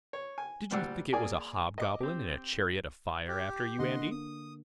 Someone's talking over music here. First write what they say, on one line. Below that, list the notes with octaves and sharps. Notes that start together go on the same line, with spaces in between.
"Did you think it was a hob-goblin in a chariot of fire after you, Andy?"
C#5
G#5
D2 A#2 G3 D5 F#5 E6
A#3 G#4 D5 G#5
D#5 D6
C4 G4
G4
D3 A#3 D#5 F#5 C6
D#6